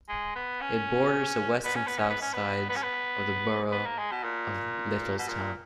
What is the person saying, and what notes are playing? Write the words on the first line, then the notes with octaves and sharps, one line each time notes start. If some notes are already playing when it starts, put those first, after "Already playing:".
It borders the west and south sides of the borough of Littlestown.
G#3
B3
C#4
B3
C#4
B3
C#4
B3
C#4
B3
B3
C#4
B3
B3
A#3
G#3
B2
A#2
B2
A#2